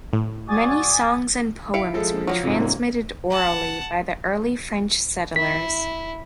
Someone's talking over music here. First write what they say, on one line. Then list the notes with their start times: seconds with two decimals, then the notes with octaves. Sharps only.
Many songs and poems were transmitted orally by the early French settlers.
0.13 A2
0.48 F#4 D5 G#5 D#6 A6
1.74 E4 F5 B6 C#7 D7
1.94 F3 G#3 A4
2.12 A#1
2.27 F3 F#3 G#3 A#3
2.43 F2 G#2 C3
2.59 D#1
3.30 F#5 A5
5.36 E4 B6